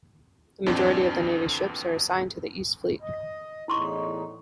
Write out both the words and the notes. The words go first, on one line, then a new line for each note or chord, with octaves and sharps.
The majority of the navy's ships are assigned to the East Fleet.
F2 G#2 B2 E3 C4 D4
D#5
E2 A2 D#4 E4 C6 C#6